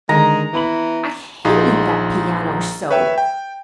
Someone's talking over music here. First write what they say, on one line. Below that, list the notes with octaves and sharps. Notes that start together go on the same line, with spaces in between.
I hated that piano so!
D3 D#3 G#3 A#5
E3 B3 B5 F#7
A#1 D#4 F4 G#4
B4 C#5 E5 G5
G5